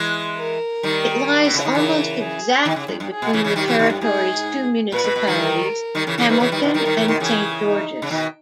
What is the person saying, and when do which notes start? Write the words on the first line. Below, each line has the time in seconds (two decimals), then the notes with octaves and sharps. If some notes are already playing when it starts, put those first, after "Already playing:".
It lies almost exactly between the territory's two municipalities, Hamilton and Saint George's.
Already playing: E3 G#3
0.37 A#4
0.83 D#3 G3
1.45 B2
1.54 C#3
1.65 D#3
1.74 C#3 E3 A#4
2.19 G#4
2.65 B2 D#3
2.76 C#3
2.88 G2
3.00 G2
3.11 G#4
3.22 B2
3.33 C#3 E3
3.44 C#3 E3
3.56 D#3 G3 G4
3.67 C#3 E3
3.79 B2 D#3
3.90 G2
4.01 G#2 G#4
4.92 A#2 B4
5.04 B2
5.16 B2
5.27 D#3 G3
5.38 A#4
5.95 D#3 G3
6.07 C#3 E3
6.18 C#3 E3
6.29 D#3 G3 B4
6.40 C#3 E3
6.52 D#3 G3
6.63 B2 D#3
6.74 D#3 G3 A#4
6.85 D#3 G3
6.97 C#3 E3
7.08 B2 D#3
7.20 C#3 E3 G#4
7.66 D#4
8.02 C#3
8.10 B2 D#3